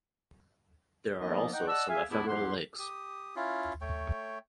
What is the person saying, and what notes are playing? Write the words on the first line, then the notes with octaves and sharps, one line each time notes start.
There are also some ephemeral lakes.
D#3 F3 A#3 B3 D#5
D#4 F#5 G5
D5 D#5 F#5 A5 E6
G#4 E5 F5 G#5
E2 A2 A3 B3 D4 E4
E2 F#3 G4 F#5 C6
G4 D#6
C#4 E4 F4
A3 C#5 G5